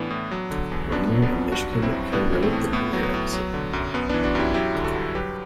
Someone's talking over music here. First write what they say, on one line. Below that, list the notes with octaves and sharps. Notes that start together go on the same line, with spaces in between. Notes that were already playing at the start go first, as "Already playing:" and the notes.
Reiner and Mishkin co-wrote the premiere episode.
Already playing: A2 E3 B3 D4
A2
F#3
D3
E2
F#2 B3 D4
F#3
B3 D4
F#2
G2 D4 F#4
F#3
C4 E4
G2
A2 B3 D4
E3
A3 C4
A2
A2 B3
F#3
B3
A2
F#3
D3
F#2
F#2 B3
E3 B3 D4
D4 F#4
F#2 E4 G4
F#3 E4 G4
D3
F#4 A4
G2
F#3 G4 B4